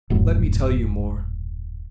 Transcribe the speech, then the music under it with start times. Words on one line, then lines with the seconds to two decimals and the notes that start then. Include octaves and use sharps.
Let me tell you more.
0.10 D#1 F#2 A2